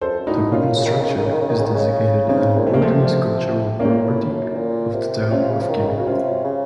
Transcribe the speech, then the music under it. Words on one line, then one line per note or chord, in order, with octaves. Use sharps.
The wooden structure is designated an important cultural property by the Town of Kin.
F#2 A4 C5
F2
F#2
A2 D#4 F#4
A#2 C#4 F4
C#3
D#3
C#3
D#3
C#3
D#3
C#3
D#3
C#3
D#3
C#3
D#3
C#3
C#3 C4 D#4
A#2
C3 A3
A#3
F3 A3
F3
A#2 A#3 C#4
A2
F#2
A#2
C3
C3 C#4 F4
C#3
F3
D#3
C#3
F#4
C3 C#4 F4
C#3